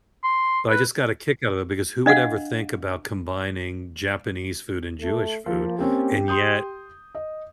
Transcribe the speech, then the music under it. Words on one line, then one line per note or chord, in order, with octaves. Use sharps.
But, I just got a kick out of it, because who would ever think about combining Japanese food and Jewish food? And, yet
C6
B4
D4 D#5 F5 F#5
A3
F3 A#3
A#3 C4 C#4 G4
C6 D#6 G6
D#5